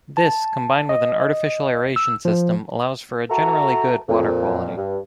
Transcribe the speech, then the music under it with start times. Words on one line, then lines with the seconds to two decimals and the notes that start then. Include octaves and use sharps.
This combined with an artificial aeration system allows for a generally good water quality.
0.17 A5
0.89 D#5
1.96 E6
2.25 F3
3.30 F#4 A4 E5 A5 A#5
4.09 F2 A#2
4.77 G2